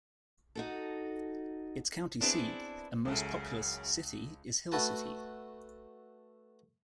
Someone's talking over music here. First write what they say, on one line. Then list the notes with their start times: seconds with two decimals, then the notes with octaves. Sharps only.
Its county seat and most populous city is Hill City.
0.55 D#4 F#4 A4
2.21 B3 C4 D4 E4 G#4 B4
3.05 C#2 F#2 C#3 A4 E5
4.72 A3 F#4 B4 A5